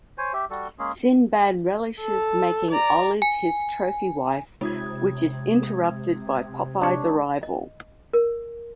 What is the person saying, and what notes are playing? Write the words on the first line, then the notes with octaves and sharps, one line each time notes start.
Sinbad relishes making Olive his trophy wife, which is interrupted by Popeye's arrival.
C5 C#5 G#5
G4 E5
G3 F#4 A4
G#3 A#3 C#4 G#4
A4
D5 A#5
G#5
C3 G#3 D#4 F4 D#6 G#6
D4 G4 C#5 A5
D#5
A#4